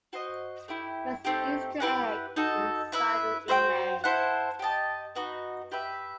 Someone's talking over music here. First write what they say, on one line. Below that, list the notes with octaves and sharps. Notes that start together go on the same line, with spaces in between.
There is an easter egg inside the inlay.
F#4 C5 D#5
A3 E4 G4
A3 C4 D#4 G4
E4 G4 B4 F#5
D#4 F#4 A4
E4 B4 E5
F#4 C5 E5 G5
E4 A4 C5 F#5
G4 D#5 A5
B3 D#4 F#4
G4 B4 E5